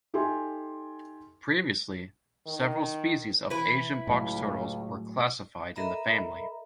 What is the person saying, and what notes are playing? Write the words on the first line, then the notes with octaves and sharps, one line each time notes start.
Previously, several species of Asian box turtles were classified in the family.
D#4 G4 A4 E5 G#5 C6
D#3
E3 E4 B4
C#2 A2 F#3 G#3
A4 A#4 D#5 E5 A#5 B5